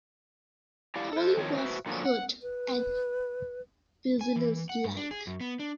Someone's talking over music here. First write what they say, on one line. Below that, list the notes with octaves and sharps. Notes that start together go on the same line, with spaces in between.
Polly was curt and businesslike.
E4 G4 D5 F5
A4 C5
D#3 F3 C4 C#5
F#4 B4 C5 E5
A#2 D3 D#3 F3 F#3
F#5
B4
G#5
E3
F#5
G2
D4
G#4
F#2
B3
D4